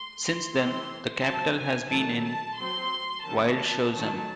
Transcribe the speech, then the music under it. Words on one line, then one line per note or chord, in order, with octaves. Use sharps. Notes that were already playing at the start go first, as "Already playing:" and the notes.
Since then the capital has been in Wildeshausen.
Already playing: C6
E3 A3 C4
F#3 C4 A5
G#5
D#3 F#3 A3 A5
A5
F#3 C4 C6
D#3 F#3 C#4 A5
D#3 F#3 A3 C#4 A5